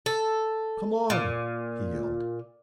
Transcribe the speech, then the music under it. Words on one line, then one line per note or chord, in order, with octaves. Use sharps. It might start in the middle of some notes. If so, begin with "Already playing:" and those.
"Come on!" he yelled.
A4
A#2